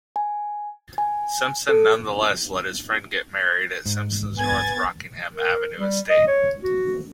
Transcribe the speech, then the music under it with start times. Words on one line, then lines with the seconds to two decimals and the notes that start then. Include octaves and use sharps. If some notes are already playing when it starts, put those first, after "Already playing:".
Simpson nonetheless let his friend get married at Simpson's North Rockingham Avenue estate.
0.16 G#5
0.98 G#5
1.69 A4
3.86 G#2
4.38 B3 G#5 G#6 A6
5.33 A#4
5.75 G3
6.10 D#5
6.28 C#5
6.63 F#4